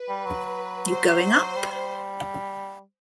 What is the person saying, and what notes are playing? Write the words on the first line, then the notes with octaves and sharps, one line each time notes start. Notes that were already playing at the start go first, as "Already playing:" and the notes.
You going up?
Already playing: B4
G3
F#3
C5
F#3
G3
G3